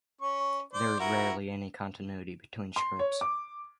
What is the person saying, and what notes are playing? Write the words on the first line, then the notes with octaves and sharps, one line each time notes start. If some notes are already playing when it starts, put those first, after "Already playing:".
There is rarely any continuity between strips.
C#4 C#6
C5 D5
E4 F#4 A#4
C6
C#5
D6